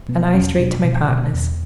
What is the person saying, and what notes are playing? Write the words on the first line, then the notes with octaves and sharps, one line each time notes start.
"And I straight to my partner's."
B2 B3
E2 C#4
B2 D4
B2
B2
E2